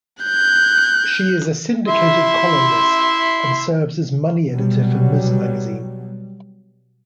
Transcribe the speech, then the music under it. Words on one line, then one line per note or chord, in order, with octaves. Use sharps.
She is a syndicated columnist, and serves as Money Editor for Ms. Magazine.
F#6 G6
E4 E5 C6
B2 F#3 G3